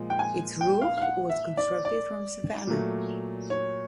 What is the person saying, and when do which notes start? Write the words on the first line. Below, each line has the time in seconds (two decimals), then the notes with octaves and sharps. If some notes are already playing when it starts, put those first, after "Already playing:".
Its roof was constructed from savanna.
Already playing: A#2 F3 G#3
0.10 G5
0.19 G#5
0.61 G5
0.81 F5
0.97 F5
1.02 F#5
1.29 E5
1.57 D5
1.85 D5
2.67 A#2 F#3 A3
3.50 C#5